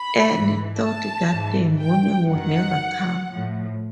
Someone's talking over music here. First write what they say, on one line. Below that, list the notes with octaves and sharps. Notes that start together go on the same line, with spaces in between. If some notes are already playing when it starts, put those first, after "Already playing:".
Anne thought that the morning would never come.
Already playing: B5
G#2 E3
A5
G#2 E3
G5
F#2 D#3 F#5
A2 F3